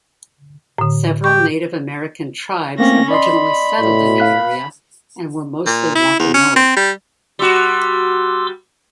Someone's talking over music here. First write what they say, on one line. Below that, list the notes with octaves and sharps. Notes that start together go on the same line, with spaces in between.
Several Native American tribes originally settled in the area and were mostly Wampanoag.
A2 D3
G4 C#6
A3 A#3 C4 C#4 A#6
D5 D#5 B5 C6
A2
F5 F#6 B6
A#2
E4
E2
C#4
C4
G3
G3 F#4 C6 D6 E6